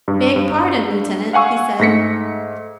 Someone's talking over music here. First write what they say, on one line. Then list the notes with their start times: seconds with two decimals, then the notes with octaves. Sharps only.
"Beg pardon, lieutenant," he said.
0.08 G2
0.36 G2
1.33 F5 F#5 G#5 C#6 E6
1.79 G#2 A3 A#6 B6 C#7